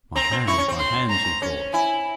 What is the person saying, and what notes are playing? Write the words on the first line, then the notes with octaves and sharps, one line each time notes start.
"My hands, my hands," he thought.
C4 A#5
C4
E4 C#6
C#4
C4
C6
A#5
C#4
E4 G#5